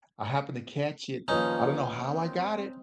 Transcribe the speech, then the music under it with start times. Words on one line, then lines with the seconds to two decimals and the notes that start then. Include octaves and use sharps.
I happened to catch it, I don't know how I got it
1.28 D#2 F3 C#4 D#4 B4 D#6
2.09 C4